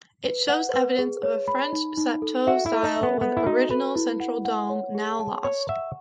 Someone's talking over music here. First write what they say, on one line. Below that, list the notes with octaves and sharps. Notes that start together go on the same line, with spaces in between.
It shows evidence of a French chateau style, with original central dome, now lost.
B4
F#5
B4
G#4
C#5
B5
D#4
D#4
A4
F#4 E5
E4
A4
D#4
E5
B3
B3 A4
E4
D#4 F#4
A4 B4
E4
F#5
F#5
C#5
G#4
A5
C#5 C#6
E5 F#5